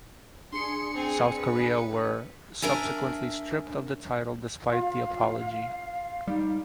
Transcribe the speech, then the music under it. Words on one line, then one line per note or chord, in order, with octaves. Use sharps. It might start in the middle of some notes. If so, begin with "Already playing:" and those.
South Korea were subsequently stripped of the title despite the apology.
D4 G#4 C6 C#7
C4 G#5
B4
D4 A#4 E5 G#5
F4 F5
G3 D#4